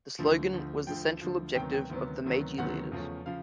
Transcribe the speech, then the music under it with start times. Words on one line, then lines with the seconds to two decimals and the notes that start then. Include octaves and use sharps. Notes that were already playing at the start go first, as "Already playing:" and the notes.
The slogan was the central objective of the Meiji leaders.
0.19 D2 D3 F3
0.53 D2 D3 F3
0.87 D2 D3 F3 G5
1.21 D2 D3 F3
1.55 D2 C3 D#3 F#3 B3 G5
1.73 G5
1.90 D2 C3 D#3 F#3 B3
2.24 D2 C3 D#3 F#3 B3
2.58 D2 C3 D#3 F#3 B3 F#5
2.92 E2 C#3 F3 A3 C#4
3.26 C#3 F3 F5